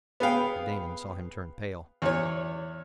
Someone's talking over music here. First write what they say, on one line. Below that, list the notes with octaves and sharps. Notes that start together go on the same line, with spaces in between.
Mr. Damon saw him turn pale.
B3 G#4 F5 G5
E2 C#5